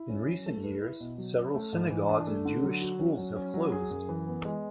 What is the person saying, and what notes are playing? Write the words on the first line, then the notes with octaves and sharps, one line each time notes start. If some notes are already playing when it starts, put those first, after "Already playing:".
In recent years, several synagogues and Jewish schools have closed.
Already playing: E4
C#4
F#3
A3
B4
E4
B2
F#3
C#4
A3
G#2
E3
D4
A3
D3
F#3
F#4
C#4
F#3
C#4
F#3
G#4
F#2
E3
B3
G#3